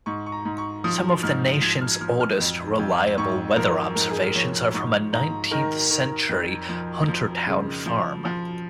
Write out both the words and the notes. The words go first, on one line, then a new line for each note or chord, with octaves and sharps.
Some of the nation's oldest reliable weather observations are from a nineteenth-century Huntertown farm.
G#2 C#6
C#6
A#5
G#2
C#6
F3 D#6
G#2 F6
F3 G#6
F6
F3 F6
F6
F2
F2
G#2 C#6
F3 A#4
G#2 A#4
G#4
A#4
F3 C#5
G#2 C#6
G#2 A#5
D#3 A#4
D#3
F2
F3
F3
C#3
F3
F3